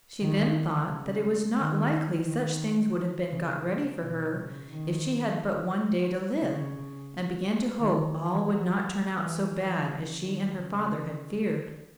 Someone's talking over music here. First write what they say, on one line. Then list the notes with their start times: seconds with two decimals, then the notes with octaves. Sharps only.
She then thought that it was not likely such things would have been got ready for her, if she had but one day to live; and began to hope all would not turn out so bad as she and her father had feared.
0.21 D#3
0.89 C#3
1.59 D#3
2.27 D#3
3.31 C#3
3.66 C#3
4.01 B2
4.35 C#3
4.70 D#3
6.42 C#3
7.79 D#3
8.14 E3
8.49 F#3
9.18 E3
9.53 E3
9.88 C#3
10.22 D#3
10.56 C#3